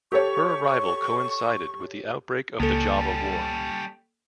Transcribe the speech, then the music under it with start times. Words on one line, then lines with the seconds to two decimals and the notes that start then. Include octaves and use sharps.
Her arrival coincided with the outbreak of the Java War.
0.12 G4 A4 C#5 C#6
2.60 C#2 G3 A#3 C#4 A4 A5